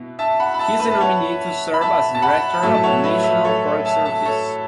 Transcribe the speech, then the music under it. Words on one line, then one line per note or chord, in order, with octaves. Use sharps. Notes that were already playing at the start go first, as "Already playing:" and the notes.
He is the nominee to serve as director of the National Park Service.
Already playing: B2 B3 E4
E5 A5
F#5 B5
B5
E5 A5
B4 E5
A5
C#5 F#5
B5
E5 A5
A5
F#5 B5
B5
A2 F#3 A3 E5 A5
A5
C#5 F#5
B4 E5
B4 E5
A4 C#5
E5 A5
E5 A5
A4 C#5